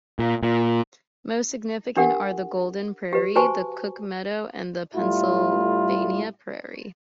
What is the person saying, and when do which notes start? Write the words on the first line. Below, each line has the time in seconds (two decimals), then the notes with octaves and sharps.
Most significant are the Golden Prairie, the Cook Meadow and the Pennsylvania Prairie.
0.19 A#2
0.43 A#2
1.97 D4 G4 A#4 F#5
3.13 G4 B4
3.36 F#4 B4 C5 G#5 A5 C#6
4.95 A2 G3 A3 E4 F4